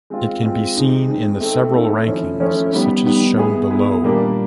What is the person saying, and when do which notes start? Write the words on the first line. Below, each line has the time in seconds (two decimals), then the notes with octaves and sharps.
It can be seen in the several rankings such as shown below.
0.10 G#3 C4 F4
0.43 G#3 C4 F4
0.76 G#3 C4 D#4
1.08 G#3 C4 D#4
1.41 A3 C4 D#4
1.74 A3 C4 D#4
2.07 F3 A3 C#4 E4
2.40 F3 A3 C#4 E4
2.72 D#3 G3 B3
3.04 D#3 G3 B3
3.38 B3 E4 G#4
3.70 B3 E4 G#4
4.03 A#2 G3 A#3 D4